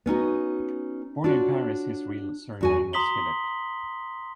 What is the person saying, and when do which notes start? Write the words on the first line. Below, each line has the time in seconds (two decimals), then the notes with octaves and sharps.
Born in Paris, his real surname was Philippe.
0.06 B3 C#4 D#4 F#4
1.24 D4 F4 F#4 C#5
2.61 E2 F#4 G#5
2.93 A#5 C6 D#6 B6 F#7 G7